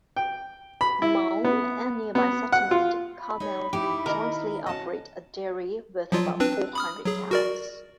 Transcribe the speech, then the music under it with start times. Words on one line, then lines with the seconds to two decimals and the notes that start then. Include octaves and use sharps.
Ma'on and nearby settlement Carmel jointly operate a dairy with about four hundred cows.
0.16 G5
0.81 B5
1.02 E4
1.44 B3
2.15 B3
2.52 F#5
2.71 F4
3.19 B5
3.40 D#4 C#5
3.73 D#4 E4 G4
4.06 D#3 A#4 D#5
4.66 C#4 F#4 D#5 F#5 A5
6.12 F3 F#3 F4
6.40 C4 D4 B4
6.75 B5 D#6 F6
7.05 F#3 G#4
7.31 F#4 A#4 D5